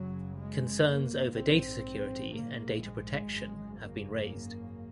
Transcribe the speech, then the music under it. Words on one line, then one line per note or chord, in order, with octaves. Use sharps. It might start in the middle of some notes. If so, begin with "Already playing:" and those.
Concerns over data security and data protection have been raised.
Already playing: F#1 F#2 C#3 F#3
G#3
A#3
A#1 G#2 C4
A#3
G#3
G#1 F#2 C#3
A#3